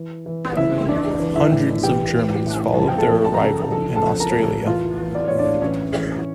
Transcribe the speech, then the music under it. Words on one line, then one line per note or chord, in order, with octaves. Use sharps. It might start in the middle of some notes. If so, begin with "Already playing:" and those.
Hundreds of Germans followed their arrival in Australia.
Already playing: E3
E3
C#3 E4 E5
E3 D4 D5
E3
E4 E5
A2
E3 G4 G5
E3
A2
F3 A5
G5
A4 A5
F3
A5
A#5
C#3 A4 A5
F3 A4 A5
A4 A5
F3
A#4 A#5
A2
A4 A5
E3 F4 F5
E3
D5
A2 C#5
D4 D5
E3 C#4 C#5
E3